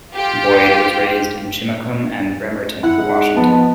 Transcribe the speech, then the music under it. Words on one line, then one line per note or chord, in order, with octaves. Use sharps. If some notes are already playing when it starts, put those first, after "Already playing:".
Boyd was raised in Chimacum and Bremerton, Washington.
F4 G4
E4 F#5
G#3 D#4
F3 B3 D#5 A5